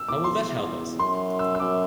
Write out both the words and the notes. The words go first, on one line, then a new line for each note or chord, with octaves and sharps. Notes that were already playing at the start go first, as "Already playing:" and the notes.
How will that help us?
Already playing: E6
E2 D6
C6
F#2 C6
E6
E6
F#2 D6